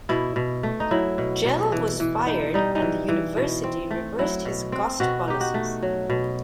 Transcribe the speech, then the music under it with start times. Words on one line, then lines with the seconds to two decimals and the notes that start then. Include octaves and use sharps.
Gell was fired, and the university reversed his cost policies.
0.09 B2 E4
0.36 B2
0.63 A3
0.80 D#4
0.91 F#3 E4
1.18 B2
1.45 B2
1.72 E3
2.00 E3
2.27 D#4
2.54 G3 D#4
2.75 D#4
2.82 E3
3.09 E3
3.37 B2
3.64 C4
3.91 A3
4.19 F#3 E4
4.45 B2
4.72 C4
5.00 B2 F#4
5.28 D#4 G4
5.41 F#4
5.54 A3
5.83 F#3
6.10 B2